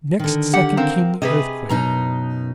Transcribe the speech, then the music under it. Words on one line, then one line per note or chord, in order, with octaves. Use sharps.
Next second came the earthquake.
D3 D#3
G4 F#5
C4 A#4 F5
C3 G#4 B4 D#5
F#2 B2 D#4 A#5